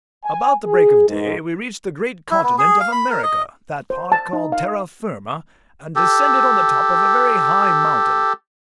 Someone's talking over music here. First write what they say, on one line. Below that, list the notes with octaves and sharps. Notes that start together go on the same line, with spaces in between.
About the break of day we reached the great continent of America, that part called Terra Firma, and descended on the top of a very high mountain.
G#5
G#4
G#2
E4
B3
G#4
F5
B5
A#4
D#5
C5
A5
D#4
F5
G4 A4